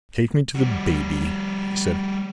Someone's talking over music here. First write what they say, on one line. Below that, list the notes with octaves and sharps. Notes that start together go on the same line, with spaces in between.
"Take me to the baby," he said.
G3 F#4